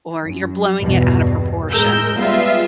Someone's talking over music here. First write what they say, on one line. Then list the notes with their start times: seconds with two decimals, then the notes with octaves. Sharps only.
or, "You're blowing it out of proportion."
0.23 F#2
0.80 E2 G2 B2
1.71 A2 G#3 A#4 E6 G6
2.15 G3 G#3 B3 F4 E5